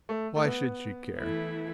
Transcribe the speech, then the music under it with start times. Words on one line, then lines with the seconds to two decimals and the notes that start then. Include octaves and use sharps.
Why should she care?
0.09 A3
0.36 A3
0.45 B3
1.18 E3 A3 E4